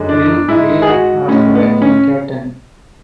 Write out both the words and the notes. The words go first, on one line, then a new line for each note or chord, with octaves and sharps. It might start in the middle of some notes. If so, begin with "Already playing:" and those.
Bill Whelan was the team captain.
Already playing: F#2 D3 G#3
D4
G#2 G#3 E4
G#4
F#4
A2 G#3 C#4
B3
C#4